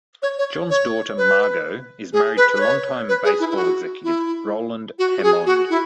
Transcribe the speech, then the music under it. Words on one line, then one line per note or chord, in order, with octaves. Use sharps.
John's daughter Margo is married to longtime baseball executive Roland Hemond.
C#5
C#5
C#5
B4
G#4
B4
B4
C#5
B4
G#4
E4
E4
F#4
E4
F#4
F#4
G#4
F#4
E4